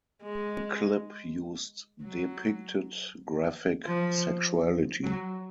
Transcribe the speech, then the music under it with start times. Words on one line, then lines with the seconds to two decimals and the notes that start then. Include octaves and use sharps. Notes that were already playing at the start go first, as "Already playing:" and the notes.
The clip used depicted graphic sexuality.
0.23 G#3
2.04 F#3
3.85 F3
5.04 F#3